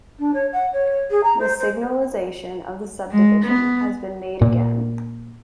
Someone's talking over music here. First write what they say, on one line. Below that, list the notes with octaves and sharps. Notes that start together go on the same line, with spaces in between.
The signalization of the subdivision has been made again.
D4
C#5
F#5
C#5
G#4
A#5
C5
C5
G#3
B3
A#2